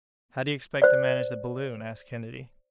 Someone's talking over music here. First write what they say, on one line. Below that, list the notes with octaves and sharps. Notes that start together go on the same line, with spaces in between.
"How do you expect to manage the balloon?" asked Kennedy.
C5 D5